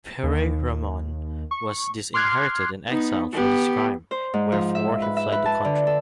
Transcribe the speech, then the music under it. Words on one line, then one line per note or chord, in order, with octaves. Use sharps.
Pere-Ramon was disinherited and exiled for his crime wherefore he fled the country.
D#2
C#6
C6 D6 F6 F#6 G#6 C7
B3 D#4
B3 G4
C5
G#2
F3
E5
B4
E5
B4
A5
D3
A4